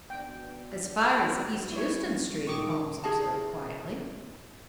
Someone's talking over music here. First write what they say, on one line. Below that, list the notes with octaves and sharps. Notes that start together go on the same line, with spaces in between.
"As far as East Houston Street," Holmes observed, quietly.
B3 D4 F#4 G5
G2 E4 C#5
A#2 D#3 G#3 C#6 D6 D7
E4 G#4 A#4 A5